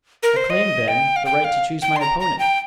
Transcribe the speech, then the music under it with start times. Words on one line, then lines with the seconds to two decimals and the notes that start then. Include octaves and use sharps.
I claim, then, the right to choose my opponent.
0.23 A#4
0.36 C5
0.50 D#5
0.88 G5
1.16 F5
1.25 G5
1.44 F5
1.82 G5
1.96 C6
2.01 A#5
2.20 A#5
2.39 G5